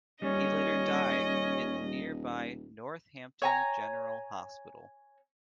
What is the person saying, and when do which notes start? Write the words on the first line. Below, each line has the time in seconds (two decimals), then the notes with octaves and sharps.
He later died in the nearby Northampton General Hospital.
0.22 D#1 G3 C#4 D#5
3.42 C#5 G#5 A#5